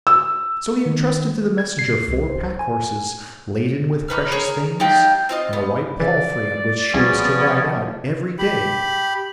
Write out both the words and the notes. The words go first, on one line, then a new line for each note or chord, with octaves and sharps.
So he entrusted to the messenger four pack-horses laden with precious things, and a white palfrey on which she was to ride out every day.
E6
D#3
G#6
C7
C2
C5
G#5
D#4 B4 F6
G#4 A#4 C#5
D#4 F4 G4 G5
C4 F4 D#5
B3
C#3 E3 D5
C2 F3 B3 C#4 G#4
G4 B5